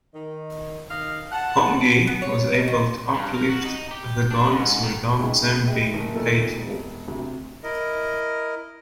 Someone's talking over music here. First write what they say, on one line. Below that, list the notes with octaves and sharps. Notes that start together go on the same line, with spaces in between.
Hongi was able to uplift the guns without them being paid for.
D#3
D#3 D#5 F5
F#5 A5
B3
C#5
D#4
D#3
G2
A#4
F#4
D#4
G4
D4
G#2
D#3
C#2 D#4 G#4 E5
G#3 E5 G5
F#1 E4 E5
A#2 D#3 A3 B3 A4 A#4
E1
D2 C3
E4 A#4 D#5